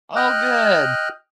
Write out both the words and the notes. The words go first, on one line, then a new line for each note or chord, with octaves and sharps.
Oh good.
D#5 G5 F6 F#6